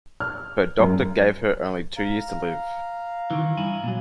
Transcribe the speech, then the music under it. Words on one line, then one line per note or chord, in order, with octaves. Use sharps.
Her doctor gave her only two years to live.
F6
F#2
F5 A#5
D#3 E3
G2 E4 G#5
A#2 F#3